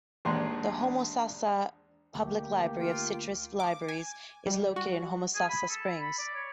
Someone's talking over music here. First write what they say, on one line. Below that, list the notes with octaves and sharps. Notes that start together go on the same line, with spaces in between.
The Homosassa Public Library of Citrus Libraries is located in Homosassa Springs.
A#1 D#2 G#2 E3 D4 G4 D5 C6
D2 A#3 G4
F4 G5
D6
G#5
G3
F#4
G#4
B5
A4
B5
D5
C#5